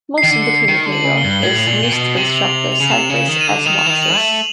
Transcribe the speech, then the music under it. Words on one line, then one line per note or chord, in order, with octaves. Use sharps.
Most of the key material is used to construct the cipher's S-boxes.
C7
D#3
D3
C#7
D#3 C#7
D3
F#7
C#3
G7
G2
G7
A2 F#7
F7
F#7
A#2
G7
A#2
B2
G7
C3 F#7
F7
F7
C#3
C3 E7
C#3
E7
D#3
E7
D#7
D3
D#3 F7
E7
E3 F7
D#3
F#7
A3
F#7